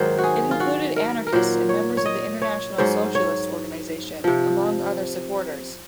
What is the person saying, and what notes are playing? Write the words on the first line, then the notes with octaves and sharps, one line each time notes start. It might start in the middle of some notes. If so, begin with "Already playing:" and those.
It included anarchists and members of the International Socialist Organization, among other supporters.
Already playing: G#2 D#3 F#3 C5
F#4
G#4
F4
F#4
A#4
A#4
A#2 F#3 C5
C#5
C#5
D#5
C#5
G#2 F#3 C5
C#5
C3 F3